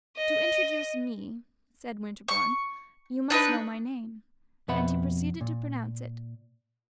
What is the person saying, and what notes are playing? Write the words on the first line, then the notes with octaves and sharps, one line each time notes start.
"To introduce me," said Winterbourne, "you must know my name." And he proceeded to pronounce it.
D#5
C#6
D4 D#4 B4
F2 B2 B4 E5 F#5 B5
A#2